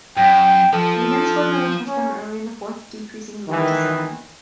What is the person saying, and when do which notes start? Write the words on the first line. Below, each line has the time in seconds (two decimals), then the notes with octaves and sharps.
He again scored another touchdown early in the fourth decreasing the lead to seven.
0.17 F#2 G5
0.73 F3 A4
1.86 C#4
3.48 D#3 E3